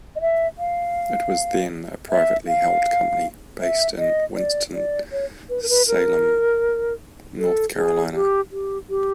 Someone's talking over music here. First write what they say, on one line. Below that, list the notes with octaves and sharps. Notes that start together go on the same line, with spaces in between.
It was then a privately held company based in Winston-Salem, North Carolina.
D#5
E5
F5
E5
F5
E5
D#5
D5
D5
C#5
B4
A#4
B4
A#4
A4
G#4
G4
G4
G4